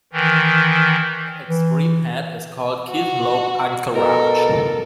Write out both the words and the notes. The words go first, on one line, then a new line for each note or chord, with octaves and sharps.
The extreme head is called Kitlope Anchorage.
D#3 E3
E3
F#4
B2 A4 A#4